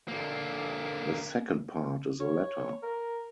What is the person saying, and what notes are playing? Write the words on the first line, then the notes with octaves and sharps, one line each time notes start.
The second part is a letter.
D3 A#3
C#5
A#4